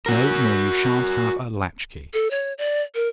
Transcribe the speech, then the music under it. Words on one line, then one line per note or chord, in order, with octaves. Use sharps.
No: nor you shan't have a latchkey.
F#4 A#4
A4
C#5
D5
A#4